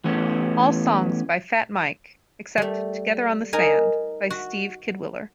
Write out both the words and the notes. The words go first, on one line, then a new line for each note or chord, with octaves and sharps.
All songs by Fat Mike except "Together on the Sand" by Steve Kidwiller.
E3 A3 B3 C#4
G3 A3
D#4 A#4 G#5
F#4